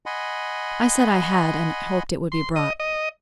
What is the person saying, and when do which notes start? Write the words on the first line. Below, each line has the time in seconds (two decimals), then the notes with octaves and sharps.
I said I had, and hoped it would be brought.
0.06 D#5 F#5 G#5 B5 C6
2.32 C6
2.56 D#5
2.80 D#5